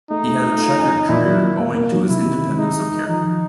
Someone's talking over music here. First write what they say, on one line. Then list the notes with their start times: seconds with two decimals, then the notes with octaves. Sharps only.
He had a chequered career, owing to his independence of character.
0.10 A3 D#4
0.27 A3
0.43 A3
0.60 F4
0.77 C#4
0.93 C#4
1.09 A#2 E4
1.26 F#3
1.43 A#3
1.59 A#3
1.75 A#3
1.92 F#3
2.08 C3 E4
2.25 D#3
2.42 C3
2.58 G#3 D#4
2.75 G#3
2.91 D#3
3.07 F3 D#4
3.24 F3